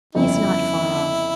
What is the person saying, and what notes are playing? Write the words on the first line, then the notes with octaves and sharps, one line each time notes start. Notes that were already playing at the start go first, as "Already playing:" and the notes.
He is not far off....
G1 F2 C#3 E4